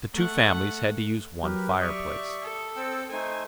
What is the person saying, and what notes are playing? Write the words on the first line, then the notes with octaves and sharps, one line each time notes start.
The two families had to use one fireplace.
A3 F#5
F#3 G4 A#4 B4
G4 D5 E5 C#6 D#6
A4
C4 G5 E6
A3 D#4 C5 G#5